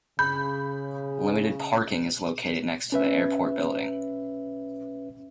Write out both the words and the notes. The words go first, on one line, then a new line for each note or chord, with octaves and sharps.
Limited parking is located next to the airport building.
C#3 B5 G6
C#4 B4 E5